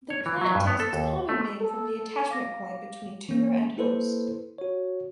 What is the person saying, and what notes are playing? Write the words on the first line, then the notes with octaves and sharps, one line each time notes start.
The plant takes its common name from the attachment point between tuber and host.
C#5
E3
F#3
G2
B3
A4
D#2
A3
A4
F5 D6 A#6
E3 A#3 C#4
A#3 E4 A4 B4 C5
F#4 C#5